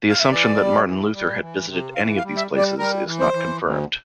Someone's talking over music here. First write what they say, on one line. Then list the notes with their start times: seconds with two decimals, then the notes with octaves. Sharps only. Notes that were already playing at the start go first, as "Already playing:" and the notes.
The assumption that Martin Luther had visited any of these places is not confirmed.
0.09 F5
0.20 E5
0.30 E3 D5
0.58 G3
0.85 E3
1.13 G3
1.40 E3
1.68 C3
1.95 E3 F5
2.17 F5
2.23 G3
2.37 E5
2.51 G3
2.58 D5
2.79 G3 A#4
3.06 E3
3.20 C5
3.33 E3
3.62 D2